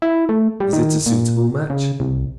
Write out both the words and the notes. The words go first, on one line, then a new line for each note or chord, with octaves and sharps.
"Is it a suitable match?"
E4
A3
G3
D#3
A#2
C#3
C2